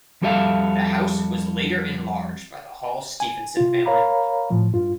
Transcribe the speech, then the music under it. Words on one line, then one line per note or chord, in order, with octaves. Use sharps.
The house was later enlarged by the Hall-Stephenson family.
F2 G3 F#4 A4 E5 F5
G#5
C3 F4
A#4 C#5 F5 A#5 B5
A2 F3
G2 F4